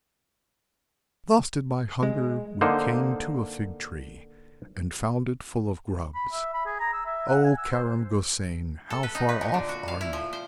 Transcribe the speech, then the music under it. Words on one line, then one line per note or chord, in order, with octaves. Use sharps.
"Exhausted by hunger we came to a fig-tree, And found it full of grubs, O Karam Gosain, how far off are you?"
G#3
D3 A#3 D#4 C5
B5
E5
B5
G#4
A#5
E6
E5
F#5
G#5
E6
C5
A4
B4
D#4
B4
A#2
D3
F#4
F5
E4
F3
C5